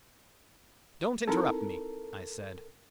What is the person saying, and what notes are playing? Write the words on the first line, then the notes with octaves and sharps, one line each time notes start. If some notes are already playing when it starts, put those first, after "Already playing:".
"Don't interrupt me," I said.
C4 D#4 E4 A4 A#4